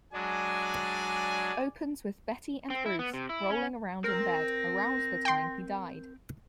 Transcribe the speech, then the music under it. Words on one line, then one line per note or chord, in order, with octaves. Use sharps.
Opens with Betty and Bruce rolling around in bed around the time he died.
F#3 G#3 D4 G#4 D5 G#5
C4
E4
B3
C3
E4
C#4
C4 A#4 A#6
G5 C6